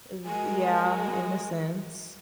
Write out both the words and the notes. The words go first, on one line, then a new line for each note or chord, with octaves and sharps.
th yeah, in a sense.
G#3 F#4 A#4 G#5